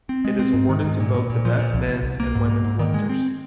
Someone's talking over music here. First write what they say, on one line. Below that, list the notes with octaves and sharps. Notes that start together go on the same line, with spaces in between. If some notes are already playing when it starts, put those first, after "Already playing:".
It is awarded to both the best men's and women's lifters.
C4
G#3
C4
G#2
D#3
G#2
A#2
A#2
A#2
F3
A#2
C2
C2
C2
A#3
G#2
A#3
G#2
D#3
G#3
C4